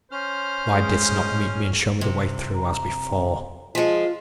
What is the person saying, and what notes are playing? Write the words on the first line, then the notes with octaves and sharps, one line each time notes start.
"Why didst not meet me and show me the way through, as before?"
C#4 C5 F6
G#2 G#3
C3
A#5
F3 G#3 F4